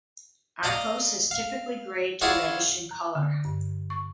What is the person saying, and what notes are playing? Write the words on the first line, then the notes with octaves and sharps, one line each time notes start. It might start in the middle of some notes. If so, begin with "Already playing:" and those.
Arkose is typically grey to reddish in colour.
D5 D#5 F5 A#5
F5
E4 F4 G#4 C#5 D5 F#5
A#5
D3
G2
C#6